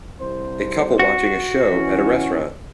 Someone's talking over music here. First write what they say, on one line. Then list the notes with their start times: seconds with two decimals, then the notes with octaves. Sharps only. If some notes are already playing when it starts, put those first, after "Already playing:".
A couple watching a show at a restaurant.
0.19 C2 C5
0.99 F#4
1.71 E3 C#4